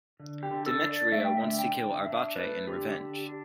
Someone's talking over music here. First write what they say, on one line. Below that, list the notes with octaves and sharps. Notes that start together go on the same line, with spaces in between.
Demetrio wants to kill Arbace in revenge.
D3
G4
D3
A4
D4
D5
A3 E5
G5
E5
D3
G5
D3
D4 E5
A3 B4
D3 G4
D3
D4